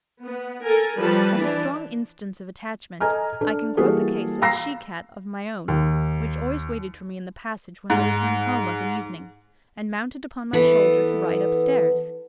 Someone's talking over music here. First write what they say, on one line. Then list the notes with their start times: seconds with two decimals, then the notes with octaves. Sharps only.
As a strong instance of attachment, I can quote the case of a she Cat of my own, which always waited for me in the passage when I returned home of an evening, and mounted upon my shoulder to ride upstairs.
0.24 B3
0.61 A4 A#4 G#5
0.97 F3 G3 B4 A5
1.33 E3 D4
3.00 A4 D#5 G#5 A#5 F6
3.41 D4 A4
3.77 E3 G3 A#3 F#4 G#4 A4
4.42 F5 A#5 B5 E6 A#6 C7
5.68 D#2
7.90 G#2
10.53 E3 B3 A4